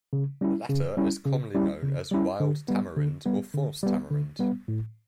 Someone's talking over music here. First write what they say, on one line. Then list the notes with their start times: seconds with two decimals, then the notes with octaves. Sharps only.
The latter is commonly known as 'wild tamarind' or 'false tamarind'.
0.13 C#3
0.41 G3 C#4 E4
0.69 C#3
0.97 G3 C#4 E4
1.25 C#3
1.55 G3 C#4 E4
1.83 C#3
2.11 G3 C#4 E4
2.40 D3
2.68 G3 B3
2.97 D3
3.26 G3 B3
3.54 D3
3.83 G3 B3
4.10 D3
4.39 G3 B3
4.68 A2